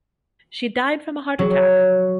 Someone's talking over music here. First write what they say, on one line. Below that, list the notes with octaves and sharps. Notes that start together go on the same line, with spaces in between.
She died from a heart attack.
F#3